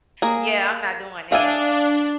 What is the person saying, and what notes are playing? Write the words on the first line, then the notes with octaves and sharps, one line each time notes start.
Yeah, I'm not doing that.
A#3 G#4
D4 G#4 E5 F5 G#5